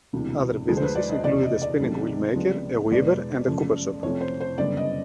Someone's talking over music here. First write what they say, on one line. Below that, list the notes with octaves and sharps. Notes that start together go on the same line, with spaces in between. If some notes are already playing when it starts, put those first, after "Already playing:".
Other businesses included a spinning wheel maker, a weaver, and a cooper shop.
E1 D2 C3 E3
D2 D3 F3 G#3 G#4
C5
B4
D5
D#5
F1 E2 C#3 D5
D#5
D5
C#2 C3 D#3 F#3 A3
C#2 C3 F3 G#3 B3
E2 B2 G#3 B3 D5
F#1 F#2 C#3 F3 A3
F2 C3 F3 A3 C#5
C5
C5
F#1 F#2 D3 G3 B3 D5
D#5